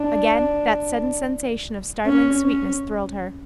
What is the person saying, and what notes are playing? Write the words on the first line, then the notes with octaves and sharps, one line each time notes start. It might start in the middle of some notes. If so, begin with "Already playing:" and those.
Again that sudden sensation of startling sweetness thrilled her.
Already playing: D4
C#4
C#4